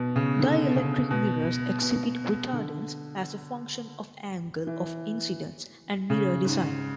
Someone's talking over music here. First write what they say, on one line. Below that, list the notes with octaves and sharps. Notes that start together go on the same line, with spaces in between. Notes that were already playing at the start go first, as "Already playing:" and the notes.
Dielectric mirrors exhibit retardance as a function of angle of incidence and mirror design.
Already playing: B2
C#3
D3
C#3
B2
B2
D3
E3
C#3
G#2